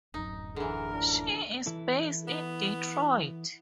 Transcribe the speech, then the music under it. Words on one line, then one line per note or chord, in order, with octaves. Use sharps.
She is based in Detroit.
D1 F#2 D#4
D3 E3 G#4 A#4
C#2 A2 D4
E3 E4 A4
B3